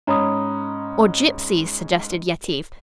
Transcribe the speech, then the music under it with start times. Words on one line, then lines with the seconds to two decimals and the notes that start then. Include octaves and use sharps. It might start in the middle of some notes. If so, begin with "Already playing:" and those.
"Or gypsies" suggested Yetive.
0.07 G#2 C#4 A#5 B5 D#6